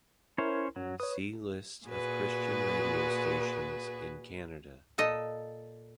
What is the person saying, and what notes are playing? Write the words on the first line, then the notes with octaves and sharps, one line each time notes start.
See List of Christian radio stations in Canada.
C#4 E4 A#4 C5 C#5
F#2 F#3
B4 C#5 D#6
A#2 F#4 G#4 B4
A#2 A4 D#5